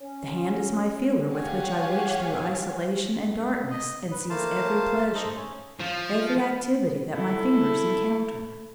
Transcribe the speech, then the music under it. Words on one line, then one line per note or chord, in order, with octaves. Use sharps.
The hand is my feeler with which I reach through isolation and darkness and seize every pleasure, every activity that my fingers encounter.
C#4
G4 C#5 F5 F#5 G#5
D#5
B4
A3 A#3 C5 F5 A5
D#4 A4 C5
C#4
F3
E4 A4